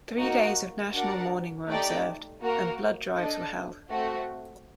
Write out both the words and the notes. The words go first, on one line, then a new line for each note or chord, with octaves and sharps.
Three days of national mourning were observed, and blood drives were held.
A#3 D#4 F#4
D4 F#4 A#4 D5 F#5
A3 D#4 G4 D5 G5
A#3 F#4 A#4
D4 A4 D#5
A3 C4 F#4